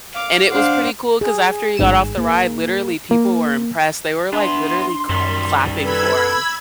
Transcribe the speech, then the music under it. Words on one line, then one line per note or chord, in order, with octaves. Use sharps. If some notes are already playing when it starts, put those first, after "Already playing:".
And it was pretty cool, 'cause after he got off the ride, literally, people were impressed. They were, like, literally c clapping for him.
F5 D6
D4 C5 F5 F#5 D6
G#4
A1 G#2 E7
A#3
A#3
B3 D4 E4 C6
F#2 D#3 G3
A4 B4 B5 E6 G#6